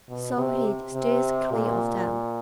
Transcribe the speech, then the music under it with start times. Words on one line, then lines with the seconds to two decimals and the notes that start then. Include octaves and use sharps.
So he steers clear of them.
0.09 B2
0.37 C3
0.94 C3
1.51 A#2